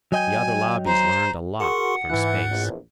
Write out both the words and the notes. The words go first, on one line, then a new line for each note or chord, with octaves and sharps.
The other lobbies learned a lot from Space.
F#3 D#5 G5 G#5
C5 A#5
F#4 G#4 A#4 F#5 C6 C#6
G#2 E3 F#6
A#1 E2